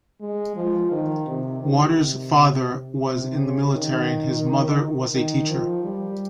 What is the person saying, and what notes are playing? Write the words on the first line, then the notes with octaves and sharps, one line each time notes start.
Water's father was in the military and his mother was a teacher.
G#3
F3
D#3
C3
D#3
C3
C3
C#3
D#3
D#3
F3
G3